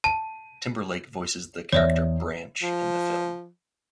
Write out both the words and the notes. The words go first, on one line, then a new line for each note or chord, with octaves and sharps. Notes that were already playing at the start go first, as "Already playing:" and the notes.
Timberlake voices the character "Branch" in the film.
A5 D#7
E2 C#5 D5 E5
F3